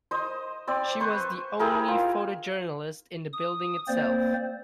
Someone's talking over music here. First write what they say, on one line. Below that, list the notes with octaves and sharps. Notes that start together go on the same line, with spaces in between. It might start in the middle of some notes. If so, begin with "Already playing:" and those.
She was the only photojournalist in the building itself.
C5 D#5
C4 D5
B4 C5 C#6
E4 G4 G#4 A#4
F4
D#6
A#3 C4 C5 D5